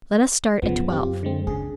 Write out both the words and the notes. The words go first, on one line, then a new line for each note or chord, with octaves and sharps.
Let us start at twelve.
F#2 C#3 F3 B3
C4 F4 G4
D3 G#3 C4
C#3 D4 G#4